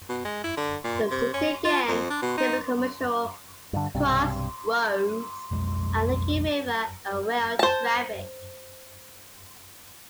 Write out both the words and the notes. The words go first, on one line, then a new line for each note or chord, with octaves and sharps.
The city again became a commercial crossroads, linking river and rail traffic.
B2
G#3
E4
D3
A#2
C3
C#4
F4
F2
D4
B2
D#4
G2 D3
B1 G2 C3
B1 F2 G#3
C5 A5